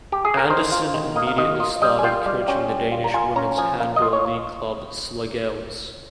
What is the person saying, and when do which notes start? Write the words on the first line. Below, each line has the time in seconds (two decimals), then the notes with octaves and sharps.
Andersen immediately started coaching the Danish Women's Handball League club Slagelse.
0.12 G4
0.25 G#4
0.37 A#4
0.50 D#3 C5
0.72 F4
0.94 D#3
1.16 A#3 D#5
1.27 F5
1.38 D#3 D#5
1.60 F4 D#5
1.82 G3 D#5
1.99 G#5
2.04 F4 G5
2.26 G3 F5
2.48 C#4 G5
2.70 G3
2.92 F4
3.04 A#5
3.14 F4 G#5
3.36 C#4 A#5
3.58 F3 G#5
3.80 A#3 F5
3.96 D#5
4.02 F4
4.13 C#5